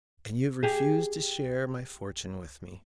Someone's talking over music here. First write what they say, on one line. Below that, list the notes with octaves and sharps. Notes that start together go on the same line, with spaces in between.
"And you have refused to share my fortune with me."
G4 G#4